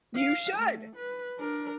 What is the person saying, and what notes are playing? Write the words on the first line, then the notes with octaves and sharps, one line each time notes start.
You should.
F5
A3
B4
D4 A#4